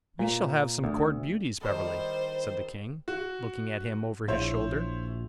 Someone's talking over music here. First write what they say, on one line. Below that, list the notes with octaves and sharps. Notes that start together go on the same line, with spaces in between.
"We shall have some court beauties, Beverley," said the king, looking at him over his shoulder.
A#2
D2
D#3 G3 A4 C5
F#4
A#1 E4 C5 C#5